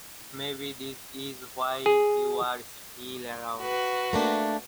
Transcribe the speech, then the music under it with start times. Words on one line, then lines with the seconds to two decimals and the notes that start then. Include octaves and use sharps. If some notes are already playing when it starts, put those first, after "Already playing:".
Maybe this is why you're still around.
1.86 G#4
3.61 F#4 B4
4.13 A3 A#3 D4